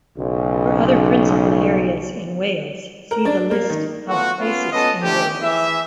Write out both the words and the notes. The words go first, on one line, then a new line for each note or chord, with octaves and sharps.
For other principal areas in Wales, see the list of places in Wales.
B1 C#3
A#4
D4
A#3
D#3
A3 B3 F4 F#4
B3 C#4 F4
B3 C#4 A4 D#5
D3 A3 C#4 G4
E3 G#4 E5